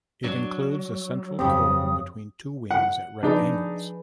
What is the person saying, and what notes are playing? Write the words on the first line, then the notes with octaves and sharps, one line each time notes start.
It includes a central core between two wings at right angles.
F#3 D4
F2 C#3 C4 G4 D#6
F#5
F3 D4 D#4 G#4 B4